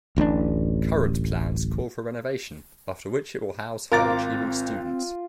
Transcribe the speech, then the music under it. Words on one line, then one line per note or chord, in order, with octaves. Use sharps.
Current plans call for renovation after which it will house high achieving students.
D1 A1 C#4 D4
G#1 C4 F4 A#4 A#5 D6 A6